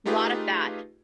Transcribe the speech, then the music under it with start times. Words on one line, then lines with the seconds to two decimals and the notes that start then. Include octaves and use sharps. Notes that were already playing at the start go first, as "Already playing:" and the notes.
Lot of that.
0.05 A3 D#4 F4 G4 G#4 B4